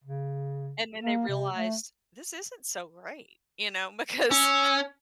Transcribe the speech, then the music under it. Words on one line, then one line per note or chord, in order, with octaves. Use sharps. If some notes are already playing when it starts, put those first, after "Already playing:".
and then they realized, "This isn't so great," you know, because
C#3
A#3
C3
A3
C#4 E6